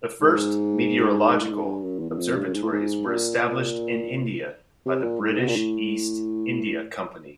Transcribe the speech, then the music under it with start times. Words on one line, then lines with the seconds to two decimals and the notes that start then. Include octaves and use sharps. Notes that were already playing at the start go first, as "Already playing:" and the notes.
The first meteorological observatories were established in India by the British East India Company.
0.21 G#2
1.41 A2
1.52 G#2
1.64 G2
1.82 F#2
2.00 E2
2.10 E2
2.18 F2
2.36 G2
2.45 F#2
2.54 G#2
2.63 A2
2.72 G#2
3.07 A#2
4.85 C3
5.03 A#2
5.21 A2
5.30 G#2
5.39 B2
5.48 A#2
5.56 A2